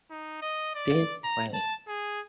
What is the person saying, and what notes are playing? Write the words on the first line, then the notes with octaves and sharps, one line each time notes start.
this way
D#4
D#5
D5
A#5
A5
G#4